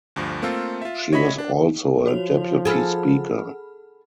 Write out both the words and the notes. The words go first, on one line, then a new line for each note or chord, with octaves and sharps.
She was also a Deputy Speaker.
D2 G2 F3
A3 A#3 C4 F4 A4
F4 E5
C#5 D#5 E5 B5 G#6 B6
D4
F3 F#4 C#5 F7
G#4 A4 F#5 B5 F6